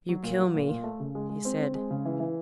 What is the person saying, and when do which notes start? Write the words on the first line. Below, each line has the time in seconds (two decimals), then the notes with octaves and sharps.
"You kill me!" he said.
0.09 F#3
0.23 A#2
0.38 F#3
0.54 A#2
0.69 A#2
0.84 A3
1.00 C#3
1.15 G#3
1.29 G#3
1.45 C4
1.60 C4
1.75 G#3
1.91 C#3
2.05 E3
2.20 E3